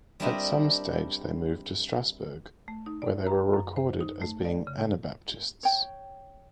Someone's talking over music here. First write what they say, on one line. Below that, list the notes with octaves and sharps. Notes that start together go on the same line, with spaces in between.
At some stage they moved to Strasburg where they were recorded as being Anabaptists.
G3 C4 D4 E4 A#4 D#5
A3
D#4
D5
A#5
F#2
C5
D#4
A3
D5
C#3
C#5 G5